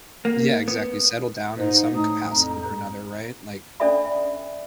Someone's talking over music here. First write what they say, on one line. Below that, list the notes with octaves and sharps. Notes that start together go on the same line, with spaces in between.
Yeah, exactly. Settle down in some capacity or another, right, like
A#3
B3
G#2 D#4
A2 D#4 D#6
F2 A#5
C#4 D4 A4 D5 E5 B5